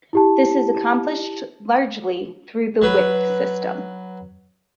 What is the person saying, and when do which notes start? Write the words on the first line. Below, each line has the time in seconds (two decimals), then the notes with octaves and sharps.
This is accomplished largely through the whip system.
0.13 E4 G4 A5
2.82 F#3 B4